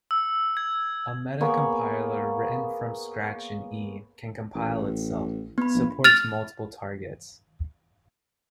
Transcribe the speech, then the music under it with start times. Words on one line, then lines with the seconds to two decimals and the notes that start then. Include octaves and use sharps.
A meta-compiler written from scratch in E, can compile itself, supports multiple targets.
0.11 E6
0.57 G#6
1.41 A#3 B3 G#4 C#5
4.55 A1
5.58 B3 B5
5.75 A#1
6.04 F6 A6 F7